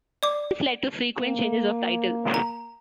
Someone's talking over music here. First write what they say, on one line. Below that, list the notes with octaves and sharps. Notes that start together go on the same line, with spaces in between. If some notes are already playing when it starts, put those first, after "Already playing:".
This led to frequent changes of title.
D5 D6
A#3
A#5